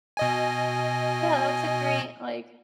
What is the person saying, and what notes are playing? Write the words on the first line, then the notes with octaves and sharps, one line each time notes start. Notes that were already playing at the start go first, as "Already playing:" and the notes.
yeah, that's a great, like
B2 D#5 G#5